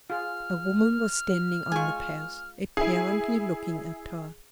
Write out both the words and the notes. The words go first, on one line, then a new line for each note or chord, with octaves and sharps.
A woman was standing on the path, apparently looking at her.
F4 G#4 F6
G#3 F4 G#5 C#6
E4 G#4